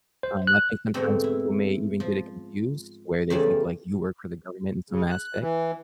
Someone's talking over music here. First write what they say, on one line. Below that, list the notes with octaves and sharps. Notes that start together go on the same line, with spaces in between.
Um, I think sometimes people may even get it confused where they think, like, you work for the government in some aspect,
C5
F#6
G#2 B2 D3 A3 C4
E4
F3
E2 C#3 G3 A3 D5 A5
C#3
F#6
E3